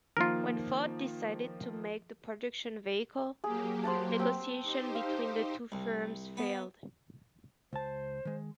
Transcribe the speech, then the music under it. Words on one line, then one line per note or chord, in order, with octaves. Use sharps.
When Ford decided to make the production vehicle, negotiations between the two firms failed.
D#3 F3 A#3 F4 A#4
F#3 A#3 G4 G#4
C5 F#5 A5
C4
D#4 G4 C5
F5
C2
B3
C#2 C5 A5
D#3 G#3